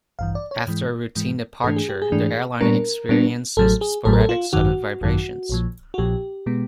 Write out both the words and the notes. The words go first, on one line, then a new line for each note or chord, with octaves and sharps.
After a routine departure, the airliner experiences sporadic sudden vibrations.
A1 G2 E3 F5
D5
C#5
G#2 E3 G#3
G#2 E3 G#3
G#2 E3 A3 D4 A4
G#4
G4
G#4
G#2 E3 A3 D4
A#2 G3 B3 D4 A#4
A#2 G3 B3 D4
A1 A2 F#3 A4
G#4
A1 A2 F#3 A4
A#4
A4
F4
G#1 F#2 D#3 F#4
G#1 F#2 D#3
A#1 A#2 F3
F#4
A#1 A#2 F3 G4
B2 G#3 B3